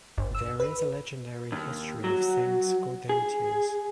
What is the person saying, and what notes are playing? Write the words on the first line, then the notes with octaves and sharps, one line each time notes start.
There is a legendary history of Saint Gaudentius.
G1
E6
B4
D#2
F#3
G#4